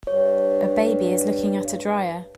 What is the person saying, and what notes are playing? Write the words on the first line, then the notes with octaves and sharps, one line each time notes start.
A baby is looking at a dryer.
G2 C#5